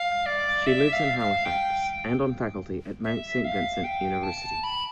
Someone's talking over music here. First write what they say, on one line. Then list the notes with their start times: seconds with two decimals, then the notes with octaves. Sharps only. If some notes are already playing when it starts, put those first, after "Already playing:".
She lives in Halifax, and on faculty at Mount Saint Vincent University.
Already playing: F5
0.26 D5
0.67 E5
0.93 F5
1.19 F5
1.45 G5
3.04 E5
3.44 F5
3.84 G5
4.23 A5
4.64 B5